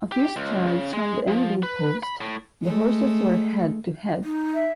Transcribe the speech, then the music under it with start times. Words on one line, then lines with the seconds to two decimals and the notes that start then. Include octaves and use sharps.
A few strides from the ending post, the horses were head to head.
0.12 G4
0.36 C#2
0.67 C#3
0.93 G#3
1.28 F3
1.63 B4
2.03 B5
2.21 A2
2.64 G#3 A3
4.24 D#4
4.54 E5